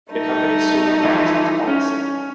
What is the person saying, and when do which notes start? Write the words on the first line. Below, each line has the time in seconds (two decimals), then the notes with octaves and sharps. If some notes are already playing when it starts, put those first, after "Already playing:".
The company soon revised its policy.
0.12 G3 A3 D#4
1.03 E3 F3 E4
1.68 C#4